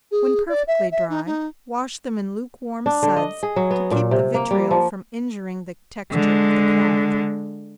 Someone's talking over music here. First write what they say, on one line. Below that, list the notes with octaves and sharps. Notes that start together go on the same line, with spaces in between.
When perfectly dry, wash them in lukewarm suds, to keep the vitriol from injuring the texture of the cloth.
G#4
D5
E5
E5
D#4
D#4
D4
D3
D#5
G#4
F#3
B3
A#2
C3
A#3
G3
F3
D3 G#3